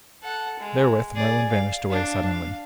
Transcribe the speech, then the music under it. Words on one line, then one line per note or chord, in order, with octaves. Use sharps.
Therewith Merlin vanished away suddenly.
A4 F#5
G#3
G#4 D5
F5
D4 F5
F5